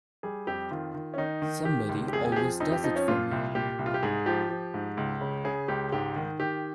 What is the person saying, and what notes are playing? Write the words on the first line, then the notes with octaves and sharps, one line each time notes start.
Somebody always does it for me.
G3 G#4
F2 G4
D#3 F4
D#3
C#4
D#3 D#4
D#3
D#3 G4
C#2
G4
F2 G#4
G#4
G4
F3 G#4
F2 D#4
G4
F3 D#4
C#4
A#2 F4
C2
A#2 G4
C2
F4
G4
G#2 G#4
F3 G4
F3
G#2
C#2
C#3
C#3 G#4
C#2 G4
G#2 G4
D#3
D#3 G4